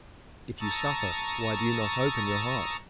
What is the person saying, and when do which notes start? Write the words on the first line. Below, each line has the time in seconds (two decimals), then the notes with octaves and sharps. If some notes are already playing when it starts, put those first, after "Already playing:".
If you suffer, why do you not open your heart?
0.60 A5 A#5 C#6 D#6 E6 A6